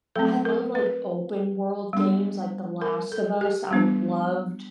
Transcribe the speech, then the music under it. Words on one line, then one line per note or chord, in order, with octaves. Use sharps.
I love, like, open-world games, like, The Last of Us, I loved
F#3 A3 C4 A4
A#4
B4
G3 B3 D4
A#4
A4
G4
G3 B3 D4